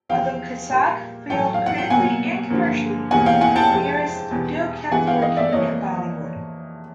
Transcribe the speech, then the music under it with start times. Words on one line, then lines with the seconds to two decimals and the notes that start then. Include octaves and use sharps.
Although "Kasak" failed critically and commercially, Meera still kept working in Bollywood.
0.09 E2 C3 F3 F5 G5
0.70 A#2 G3 A#3
1.30 A2 F#3 A3 G5 A5
1.54 F5
1.66 F#5
1.78 G5
1.90 B2 F#3 A#3 F#5 G#5
2.50 G2 D3 F3 A#3
3.11 E2 B2 G3 A#3 F#5 G#5
3.26 F5 G5
3.41 F#5 G#5
3.56 G5 A5
3.71 F2 C3 F3 G#3
4.31 E2 B2 G3 B3
4.91 G2 E3 G#3 B3 F#5 G#5
5.07 F5 G5
5.22 D#5 F5
5.37 D5 E5
5.52 F2 C3 E3 G3 A#3 C#5 D#5